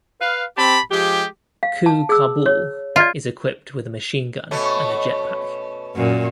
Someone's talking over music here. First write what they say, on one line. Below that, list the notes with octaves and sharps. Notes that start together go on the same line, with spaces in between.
Ku-Kabul is equipped with a machine gun and a jetpack.
B4 F5
C4 G4 A5 B5
F3 G#3 G4
F5
A5
G#4 E6
C#5
F4 D5 D#5
B2 A3 C#4
F#2 A#2